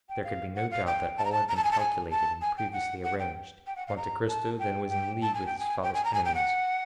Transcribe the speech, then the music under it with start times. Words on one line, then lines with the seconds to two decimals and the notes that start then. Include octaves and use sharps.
There could be no doubt that all had been calculated and previously arranged; Monte Cristo then was in league with his father's enemies.
0.09 G5
0.24 F5
0.55 F#5
0.71 F5
0.87 G5
1.18 A5
1.25 A#5
1.32 A5
1.48 A#5
1.57 A5
1.64 G#5
1.71 A5
1.79 G#5
2.11 A5
2.41 G#5
2.57 G5
2.73 F#5
3.04 F#5
3.19 G5
3.67 G5
3.76 F#5
3.87 F5
3.97 A#5
4.28 A5
4.59 G5
4.90 G5
5.22 A5
5.34 G#5
5.46 G5
5.59 G#5
5.83 G5
5.94 G#5
6.04 A#5
6.14 G#5
6.25 G5
6.35 F#5